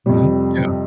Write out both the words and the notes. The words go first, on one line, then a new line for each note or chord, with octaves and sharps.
Mhm, yeah.
F2 C3 G3